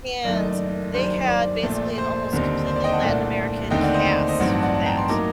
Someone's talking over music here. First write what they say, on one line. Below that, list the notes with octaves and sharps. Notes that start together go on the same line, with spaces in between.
And they had basically an almost completely Latin American cast for that.
F#1 F#2 D#3 A3 D5
D#5
D5
F#1 F#2 D#3 G3 D4 C5
D5
D5
D5
A#1 A#2 A3
C5
D#2 D3 G3 C4 D#4
C5
D5
D#5 G5
F#5 A5
C2 A#2 A3 D4
D#2 D3 A3 C4 D#4 D#5 G5
D5 F#5
C5 D#5
D5
C5 D#5
A1 G2 F#3 C4 D#4 D5 F#5
F#5 A5
D5 F#5
F#5 A5
G5 A#5
A5 C6
A2 F#3 A#3 D#4 A#5 D6